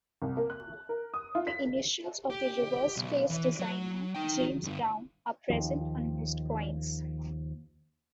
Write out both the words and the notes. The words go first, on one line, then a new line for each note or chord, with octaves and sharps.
The initials of the reverse face designer James Brown are present on most coins.
C2
A#3
F#6
A#4
D#6
F4
B6
G4
B1
E3
F#3
D#4 G5
G2 D3
D#2 F3